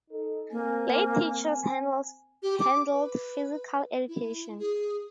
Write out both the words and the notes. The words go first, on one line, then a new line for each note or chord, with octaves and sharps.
Lay teachers handled physical education.
D#4 A4
A#3 C4 G#5
G4
D6
B4
E4
G#4